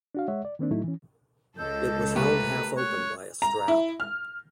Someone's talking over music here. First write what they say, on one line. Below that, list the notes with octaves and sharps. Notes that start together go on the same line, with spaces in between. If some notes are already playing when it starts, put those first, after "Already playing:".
It was held half open by a strap.
D4 F#4 F5
G#3 C#5 E5 F#5
D5
D#3 A#3 C4 D4
A2 F#3 A3 D#4 E4
E3 C#4
C#2 A4 D#5 E6 G6
A3 A#3 G4 B4 A#5
C#5 F#6
A#5
E4
F6